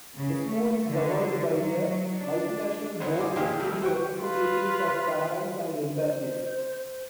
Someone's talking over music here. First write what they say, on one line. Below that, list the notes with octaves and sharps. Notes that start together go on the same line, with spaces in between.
The school is governed by a multi-national board, including representatives of parents and embassies.
C#3
A3
D3
F#3
D4
D2 F#3 B3 C5
G#4 C5 D5
A#2 G#3 G4 G#4 C5 F5
C2 D#3 A3
C5 F#5 G5 C#6
F4 B4
C5